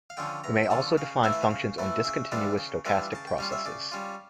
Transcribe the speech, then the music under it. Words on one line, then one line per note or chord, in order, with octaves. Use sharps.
We may also define functions on discontinuous stochastic processes.
F5
D3 F3 C#4 G5
E2 A#5
G5
D3 F3 C#4 A5
C#3 F5
E3 A3 E4 F5
E5
F5
C#3
E3 A3 E4
C#3 E5
E3 G3 D4 F4 D5
C#3
E3 G3 D4 F4
C#3 A5
G5
G3 C#4 F4 F5
E5
C#3 D5
G3 C#4 F4